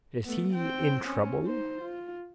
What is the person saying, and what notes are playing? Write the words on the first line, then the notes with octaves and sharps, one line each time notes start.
Is he in trouble?
A3 B3
C4 G5
C4 C#4
D#4 C5
F4